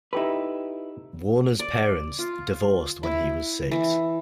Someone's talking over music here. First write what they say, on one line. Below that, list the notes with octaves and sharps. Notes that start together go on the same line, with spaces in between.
Warner's parents divorced when he was six.
D#4 E4 G4 A4 B4
D5
F4
E4
E3